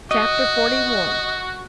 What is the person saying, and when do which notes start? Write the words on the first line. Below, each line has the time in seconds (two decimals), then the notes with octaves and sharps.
Chapter XLI.
0.11 F#4 D#5